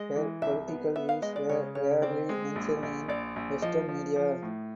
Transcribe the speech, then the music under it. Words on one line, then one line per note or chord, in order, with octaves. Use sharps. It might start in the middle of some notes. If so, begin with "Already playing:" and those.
Her political views were rarely mentioned in Western media.
Already playing: G#3 D#5
E3
C2 E5
B3
B3 E5
F5
G#3 D#5
D5
C#3 C#5
C#3 C#5
C4 D5
G#3
A#1
A#1
A#1 D5
A#1
F3 D#5
F3
F3
A2